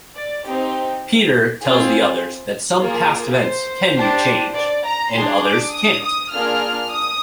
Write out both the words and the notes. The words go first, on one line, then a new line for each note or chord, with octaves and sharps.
Peter tells the others that some past events can be changed, and others can't.
D5
C4 D#4 G4
C4 F4 G#4
A#3 F4 G#4
C5
D4 G4
D5
A#5
D4 G#4 C6
D6
D#6
D#6
A#3 D4 F4 G#4 F6
D#6